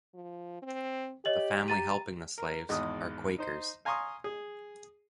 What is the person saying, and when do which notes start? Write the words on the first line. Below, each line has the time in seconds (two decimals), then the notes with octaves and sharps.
The family helping the slaves are Quakers.
0.14 F3
0.62 C4
1.25 G4 C#5 D#5 F#7
1.68 A#5 A6 D#7
2.38 A#4
2.69 G#1 E2 G#3 D#6
3.38 D#4 C5
3.85 F5 G#5 A#5 C6 C#6 D#6
4.24 G#4